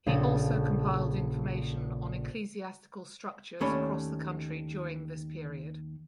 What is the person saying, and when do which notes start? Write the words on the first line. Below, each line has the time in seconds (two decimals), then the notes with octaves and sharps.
He also compiled information on ecclesiastical structures across the country during this period.
0.06 A#1 C#3 A4 D#7
3.61 D#2 A3 C#4 D4 C#5 B5